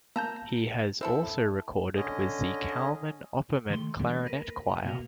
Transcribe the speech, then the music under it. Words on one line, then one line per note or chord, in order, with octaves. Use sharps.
He has also recorded with the Kalmen Opperman Clarinet Choir.
A#3 A5 A#5 G6
C4 E4 A4
D3 C#4 D#5
D#3 A3 C6
E2 D3 G3 A#3
A#4 B4
B2 A#3 B3 F4 F#4 F5